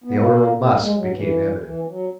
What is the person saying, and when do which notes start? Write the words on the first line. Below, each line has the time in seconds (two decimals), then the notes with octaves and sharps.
The odor of musk became evident.
0.04 B3
0.14 A#3
0.64 A#3
0.80 G#3
0.97 F#3
1.14 E3
1.63 E3
1.88 F#3